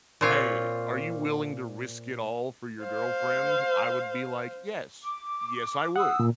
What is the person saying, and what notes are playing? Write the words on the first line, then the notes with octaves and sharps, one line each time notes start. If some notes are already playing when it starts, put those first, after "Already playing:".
"Hey, are you willing to risk it all for your girlfriend." I would be like, "Yes, yes, I would.
A#2 C4 F4 C#5
C5 F5
D6
F#5 D#6 E6
A#2